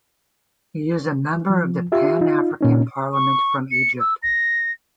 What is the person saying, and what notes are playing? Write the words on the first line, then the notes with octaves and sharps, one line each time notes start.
He is a member of the Pan-African Parliament from Egypt.
F3
F4 G4 E5
D#4 F4
A#2 C#4 D#4
C#6
C#7
E6
A#6